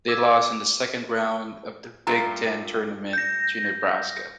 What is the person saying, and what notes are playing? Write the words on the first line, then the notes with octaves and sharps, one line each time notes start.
They lost in the second round of the Big Ten Tournament to Nebraska.
D6 E6 G#6 A6 B6 E7
G2 A3 F4 A#5
G6 A#6